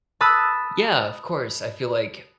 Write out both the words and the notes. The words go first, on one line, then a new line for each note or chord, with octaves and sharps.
Yeah, of course. I feel like
A5 B5 D#6 E6 F#6